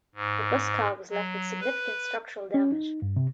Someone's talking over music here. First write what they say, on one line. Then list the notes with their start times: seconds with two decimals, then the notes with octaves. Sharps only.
The first car was left with significant structural damage.
0.15 G#2
1.10 F#3
1.61 B4
2.54 C#4
2.72 D#4
3.02 G2
3.16 C3